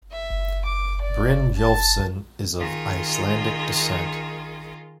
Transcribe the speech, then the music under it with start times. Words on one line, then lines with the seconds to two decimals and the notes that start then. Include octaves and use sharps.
Brynjolfsson is of Icelandic descent.
0.11 E5
0.65 D6
1.01 D5
1.56 A5
2.58 D#3 F4 G#4